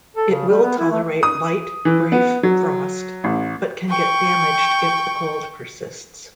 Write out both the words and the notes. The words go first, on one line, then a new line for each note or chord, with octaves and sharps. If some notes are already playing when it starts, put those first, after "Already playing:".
It will tolerate light brief frost, but can get damaged if the cold persists.
A4
C#3
G3
B3
E4
A3
D#6
E3
B3
F#3
A1
G5 C#6